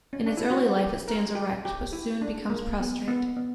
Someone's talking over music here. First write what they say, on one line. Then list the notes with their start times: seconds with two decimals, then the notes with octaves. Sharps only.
In its early life it stands erect, but soon becomes prostrate.
0.13 C#4
0.26 D4
0.37 E4
0.51 F#4
0.79 G4
1.08 A#4
1.35 G4
1.65 G4
1.93 E4
2.21 D4
2.50 A#3
2.79 B3
3.08 B3
3.36 B3